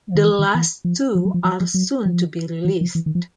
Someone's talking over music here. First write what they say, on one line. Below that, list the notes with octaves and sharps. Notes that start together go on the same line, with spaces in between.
The last two are soon to be released.
D#3
E3
D#3
E3
F3
F3
F#3
F3
F3
F3
F#3
F3
E3
F3
E3
D#3
F3